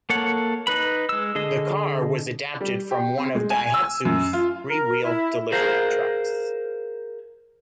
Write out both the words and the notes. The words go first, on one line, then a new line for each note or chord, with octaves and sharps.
The car was adapted from one of Daihatsu's three-wheeled delivery trucks.
A#3 A4 C#5 F#5
D#4 B4 B5
G#3 E6
D3 G#4 D#5
G3
G4
C4
G#3
G#5
E6
F#2
F4
A#4
E4
G#4 A#4 C5 F5